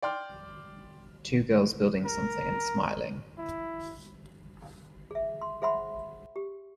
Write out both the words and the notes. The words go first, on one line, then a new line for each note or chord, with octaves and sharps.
Two girls building something and smiling.
D5 G5 C6 F6
A#4
E4
G#4 E5
C6
G#4 C5 E5 F#5 B5 C6
G4